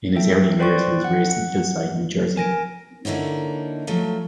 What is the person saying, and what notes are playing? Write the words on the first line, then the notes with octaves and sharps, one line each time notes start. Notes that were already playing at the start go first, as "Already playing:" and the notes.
In his early years he was raised in Hillside, New Jersey.
A4 E5 G5
B4 C5 D5 G5 C6 C#6
F#5 F#6
A#4 G#5 A#6 D7
D3 A#3 D#4 E4 C#5
F3 F#3 A3